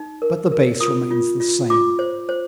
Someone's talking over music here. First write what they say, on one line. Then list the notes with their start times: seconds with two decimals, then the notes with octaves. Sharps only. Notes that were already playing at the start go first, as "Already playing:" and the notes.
But the base remains the same.
Already playing: D#4
0.22 A#4
0.52 A#4
0.80 F4 D#6
1.11 F4
1.40 F4
1.70 F4 D6
1.99 C5
2.29 C5